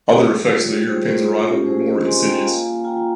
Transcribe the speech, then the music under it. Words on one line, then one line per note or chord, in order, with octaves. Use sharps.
Other effects of the Europeans' arrival were more insidious.
G3 G4 A#4
G3
F4
F4 A#4 C#5
G3 G#4 C5
F4 G#4 C5
F4
C#4 G4 A#4
G#3 G#4 C5
G#3 C5 D#5
G#3 G#5 C6
F4 G5 A#5
A#3 F5 G#5
A#3
F4 G5 A#5